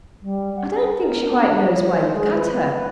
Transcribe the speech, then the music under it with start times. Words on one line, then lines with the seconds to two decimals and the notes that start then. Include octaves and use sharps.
"I don't think she quite knows why you've cut her."
0.22 G3
0.56 F#5
0.75 G#4
0.98 A#4
1.24 D4
1.59 C#5
1.88 C5
2.15 G#3
2.34 B4